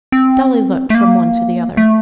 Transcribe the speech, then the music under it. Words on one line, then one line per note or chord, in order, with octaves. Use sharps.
Dolly looked from one to the other.
C4
A3
A#3
A3